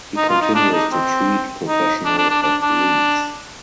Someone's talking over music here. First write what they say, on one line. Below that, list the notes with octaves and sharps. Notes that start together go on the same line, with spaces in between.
He continues to treat professional athletes.
D#4
F4
D#4
D4
D#4
C4
D#4
D4
D4
D4
D4
D4